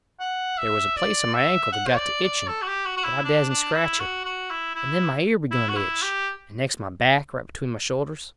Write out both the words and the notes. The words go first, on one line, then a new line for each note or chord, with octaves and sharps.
There was a place on my ankle that got to itching, but I dasn't scratch it; and then my ear begun to itch; and next my back, right between my shoulders.
F#5
E5
D5
E5
F#5
C5
D5
D5
A4
F#4
G4
F#4
F#4
E4
D4
D4
E4
F#4
F#4
E4
E4
E4
F#4
E4
G4